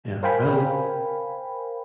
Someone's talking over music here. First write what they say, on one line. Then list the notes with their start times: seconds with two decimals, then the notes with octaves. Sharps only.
Yeah, well
0.23 A#4 C5 F5 G5 G#5 B5